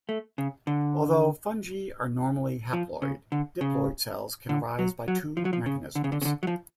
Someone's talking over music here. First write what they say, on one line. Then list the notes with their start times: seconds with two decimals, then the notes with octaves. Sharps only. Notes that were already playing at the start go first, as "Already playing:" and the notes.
Although fungi are normally haploid, diploid cells can arise by two mechanisms.
0.09 A3
0.38 C#3
0.67 D3
2.73 F3
3.02 C#3
3.32 D3
3.61 C#3
4.49 D3
4.79 F#3
5.08 F#3
5.37 F3
5.45 F#3
5.53 F3
5.66 C#3
5.95 D3
6.04 C#3
6.12 D3
6.22 C#3
6.25 D3
6.43 F#3
6.47 F3